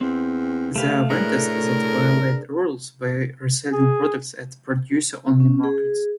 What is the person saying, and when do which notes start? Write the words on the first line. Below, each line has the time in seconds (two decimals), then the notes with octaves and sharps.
There are vendors that violate rules by reselling products at Producer Only markets.
0.01 E2 C4
0.76 C3 A3 G4 B4 F5
1.10 A2 A3 D4 G#4 A#4 B4 F#6
3.72 G#4
5.40 C#4
5.64 G#4